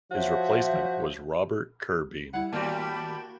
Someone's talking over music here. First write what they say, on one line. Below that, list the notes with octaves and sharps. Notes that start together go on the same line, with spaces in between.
His replacement was Robert Curbeam.
F3 F#4 C#5 E5 G6
G3 E4 F#5
D#2 A2 G3 A#3 F#4 G4 A5 B5